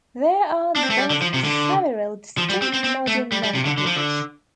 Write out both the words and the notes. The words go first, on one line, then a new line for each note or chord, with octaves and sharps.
There are thus several distinct modern neighborhoods.
D4
C4
A3
G3
D3
F3
C3
D3
F3
G3
C4
C4
C4
A3
G3
G3
C3
D3
D3
F3
D3